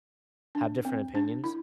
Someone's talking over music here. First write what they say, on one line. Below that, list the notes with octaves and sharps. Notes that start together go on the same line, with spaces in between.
have different opinions.
D4
C4
D4
E4